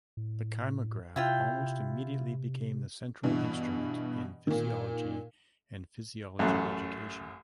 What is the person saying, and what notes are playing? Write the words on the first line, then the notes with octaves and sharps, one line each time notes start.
The kymograph almost immediately became the central instrument in physiology and physiology education.
A2
C3 E4 F4 G5
G2 B2 E3
A#2 D#3
A1 F#2 A3 F#6